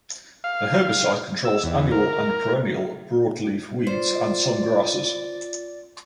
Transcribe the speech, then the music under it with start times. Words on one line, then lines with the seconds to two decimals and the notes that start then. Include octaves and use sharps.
The herbicide controls annual and perennial broadleaf weeds and some grasses.
0.44 F5
1.45 E6
1.64 E2
1.92 A#4
3.87 F4 C5 D5